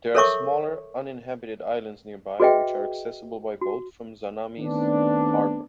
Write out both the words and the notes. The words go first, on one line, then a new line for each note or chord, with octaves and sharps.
There are smaller, uninhabited islands nearby which are accessible by boat from Zamami's harbour.
A4 A#4 C#5 E5 C#6 D6
F#4 G#4 B4 D#5 E5 G5
F#4
D#3 A3 B3 C4 D4